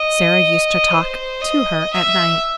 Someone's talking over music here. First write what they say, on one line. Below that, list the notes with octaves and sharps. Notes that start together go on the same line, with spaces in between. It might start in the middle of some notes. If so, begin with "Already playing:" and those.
Sara used to talk to her at night.
Already playing: D#5
C5
D#5
E5